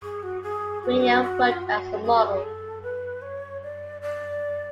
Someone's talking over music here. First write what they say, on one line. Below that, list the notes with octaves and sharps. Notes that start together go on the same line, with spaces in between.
Grenier worked as a model.
G#4
F#4
G#4
F#4
G#4
F#4
F#4
F4
F#4
G#4
F#4
G#4
A4
B4
C#5
D5
D5